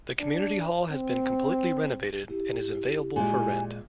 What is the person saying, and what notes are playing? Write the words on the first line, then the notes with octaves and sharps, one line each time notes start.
The community hall has been completely renovated and is available for rent.
D4
C4
E4 G4
A#2 G#3 G#5